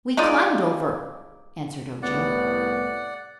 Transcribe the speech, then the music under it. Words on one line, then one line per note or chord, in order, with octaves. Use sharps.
"We climbed over," answered Ojo.
G#3 D#4 F4 D5
C2 A2 B3 D5 F#5